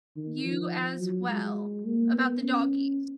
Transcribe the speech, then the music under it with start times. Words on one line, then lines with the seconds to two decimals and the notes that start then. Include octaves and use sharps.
You as well, about the doggies.
0.16 D#3
0.44 F3
1.00 F#3
1.29 G#3
1.85 A#3
2.14 B3
2.42 C#4